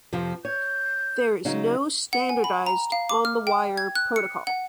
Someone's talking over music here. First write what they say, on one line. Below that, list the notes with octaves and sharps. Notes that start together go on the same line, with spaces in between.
There is no standardized on-the-wire protocol.
F2 C3 F3
C#5 G6
C#3 F#3 D#4
F#5
G#5
B5
A#5
F5
D6
F6
G5
G#6
F#6
C#7
F#5